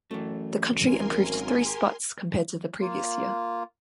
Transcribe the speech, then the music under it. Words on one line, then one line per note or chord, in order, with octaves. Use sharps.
The country improved three spots compared to the previous year.
F#2 E3 A3
G#1 A#4 G#5 C6
G4 G#4
A#3 F4